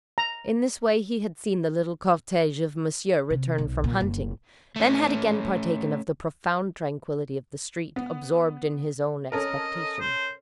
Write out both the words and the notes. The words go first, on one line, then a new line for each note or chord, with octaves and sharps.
In this way he had seen the little cortege of Monsieur return from hunting, then had again partaken of the profound tranquillity of the street, absorbed in his own expectations.
A#5
C3
B1
A#2
F#1
A3 C#4
B3
C#4 A4 A#4 D#5
C5